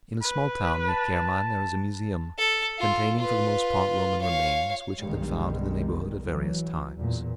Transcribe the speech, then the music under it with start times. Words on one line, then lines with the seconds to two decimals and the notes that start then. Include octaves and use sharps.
In a small town near Caermaen there is a museum, containing for the most part Roman remains which have been found in the neighbourhood at various times.
0.21 B4
0.88 A5
2.38 A4
2.78 F4
3.19 F4 B4
4.21 C#5 F5
5.00 B1 D3 D#3 G3 G#3
6.23 E3 F#3
6.95 E2 A#2